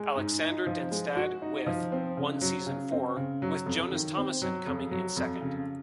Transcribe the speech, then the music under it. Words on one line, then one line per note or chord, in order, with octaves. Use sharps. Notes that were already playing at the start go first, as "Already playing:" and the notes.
Aleksander Denstad With won season four, with Jonas Thomassen coming in second.
Already playing: G#3
G#2
D#4
F3
G#3
F#4
D#4
F3
C4
C#3
F#3
C#3
C4
C#3
F#3
F2
D#3
C4
F#3
F2
F#3
F2
C#3